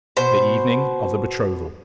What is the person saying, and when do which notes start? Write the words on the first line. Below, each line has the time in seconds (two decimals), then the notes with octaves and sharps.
The Evening of the Betrothal.
0.17 B2 C5